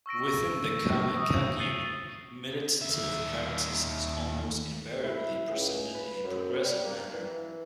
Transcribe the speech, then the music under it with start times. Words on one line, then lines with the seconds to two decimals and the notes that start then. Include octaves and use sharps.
Within the Karma Kagyu, meditative practice is almost invariably presented in a progressive manner.
0.06 C#6 E6 A#6 D7
1.17 D#6
1.60 A6 C7 C#7 D#7
2.82 D#2 E5
5.04 E4
5.49 C#2
5.94 B4
6.24 F#2
6.64 G3
6.85 A#3
7.13 E3